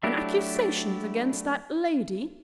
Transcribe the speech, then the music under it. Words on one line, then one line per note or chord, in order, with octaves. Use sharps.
An accusation against that lady?
F#3 A3 D4 E4 G4